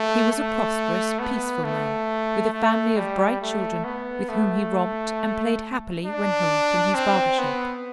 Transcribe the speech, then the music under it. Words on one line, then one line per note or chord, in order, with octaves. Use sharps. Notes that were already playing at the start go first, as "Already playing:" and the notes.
He was a prosperous, peaceful man, with a family of bright children, with whom he romped and played happily when home from his barber shop.
Already playing: A3
A3
B3
A3
A3
G3
A3
B3
A3
D4
C4
B3